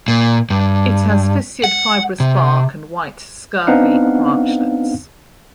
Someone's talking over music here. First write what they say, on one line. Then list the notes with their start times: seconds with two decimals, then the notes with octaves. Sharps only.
It has fissured fibrous bark and white scurfy branchlets.
0.08 A#2
0.50 G2
1.64 F#5
2.20 C3
3.67 B3 C4 D4 D#4 F5 F#5